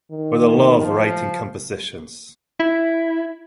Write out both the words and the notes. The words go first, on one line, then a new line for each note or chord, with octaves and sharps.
But I love writing compositions.
D#3
F3
E4